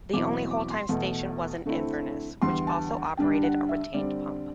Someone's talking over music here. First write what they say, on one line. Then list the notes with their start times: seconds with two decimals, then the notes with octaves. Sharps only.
The only wholetime station was in Inverness, which also operated a retained pump.
0.13 E2 B2 F#3 C4 E4 D6
0.51 D6
0.70 C6
0.89 E2 B2 A3
1.65 D3 A3 C4 E4
2.41 E2 D3 G3 C6
2.67 A5
3.17 G2 D3 G3 D4 G5
3.44 F#5
3.69 E5
3.94 D3 G3 C4 D5